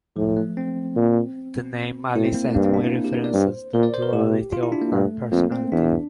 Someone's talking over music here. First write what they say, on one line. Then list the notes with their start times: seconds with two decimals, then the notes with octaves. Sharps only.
The name "Alice et Moi" references the duality of her personality.
0.16 A2 F3
0.37 A3
0.57 C4
0.96 A#2
2.15 A2 E4
2.25 C4
2.35 A#3
2.45 A3
2.54 G2 A#3
2.64 C4
2.74 D4
2.84 E4
3.04 G4
3.14 A#4
3.24 D5
3.34 G2 C5
3.73 A#2 A#4
3.83 D5
3.94 C5
4.03 A#4
4.13 A2 G4
4.53 F4
4.63 E4
4.72 D4
4.82 A#3
4.92 G2 A3
5.32 F2 A#3
5.52 C4
5.72 E2 D4